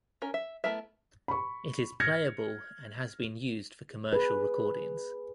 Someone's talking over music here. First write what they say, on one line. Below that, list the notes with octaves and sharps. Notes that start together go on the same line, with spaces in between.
It is playable and has been used for commercial recordings.
C#4 A#4
E5
A3 B3 E4 A#4 E5
B5 C#6
F6 G#6 A#6 C#7
G#4 B4